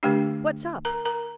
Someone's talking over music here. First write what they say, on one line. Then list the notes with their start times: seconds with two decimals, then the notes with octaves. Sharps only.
What's up?
0.03 D3 A3 D4 G4 G5
0.85 A#4 A#5
1.05 A#4 A#5